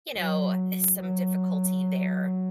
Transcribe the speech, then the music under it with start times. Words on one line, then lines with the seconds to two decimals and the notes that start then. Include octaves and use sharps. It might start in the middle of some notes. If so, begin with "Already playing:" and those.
you know, some difficulty there
0.16 F#3
1.00 F#3